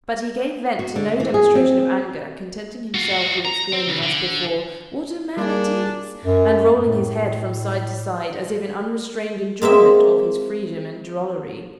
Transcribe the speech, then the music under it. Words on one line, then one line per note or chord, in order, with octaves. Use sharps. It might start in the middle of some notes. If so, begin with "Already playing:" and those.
But he gave vent to no demonstration of anger, contenting himself with exclaiming as before, 'What a man it is!' and rolling his head from side to side, as if in unrestrained enjoyment of his freedom and drollery.
F#4
D3
E3
G#4
C4
F4 F#4
A#5
C4
C#2
D3
G3 A#3 D4 G#4
F#2
A2
G#3 A#3 C4 E5